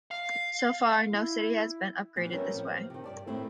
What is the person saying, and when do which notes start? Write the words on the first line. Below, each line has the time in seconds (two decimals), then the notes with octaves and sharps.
So far no city has been upgraded this way.
0.11 F5
1.10 E4
2.16 A#2 E3 F3 B3
2.31 G3 B3 C#4 A#4 D#5 E5
2.51 A2 C3 F3
2.90 C3 D#3
3.04 G2 D5 A5
3.27 A2 D#3 G3 A3 C4 E4